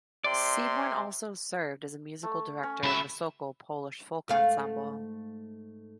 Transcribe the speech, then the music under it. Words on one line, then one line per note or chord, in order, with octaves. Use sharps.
Seaborn also served as a musical director of the Sokol Polish Folk Ensemble.
C3 D5 C6
A3
C#4
C#2 F#3 E5 B5
G#2 A3 F5